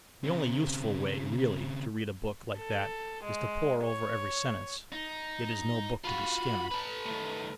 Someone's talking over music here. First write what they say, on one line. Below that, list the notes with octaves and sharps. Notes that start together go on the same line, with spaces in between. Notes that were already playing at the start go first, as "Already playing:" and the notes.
The only useful way really to read a book like that is to pore over every sentence: it is no book to be skimmed.
C#3 C4
A4
G#3
C#5
D#4
F4 F#4 B5
A4 B4
D#3 A3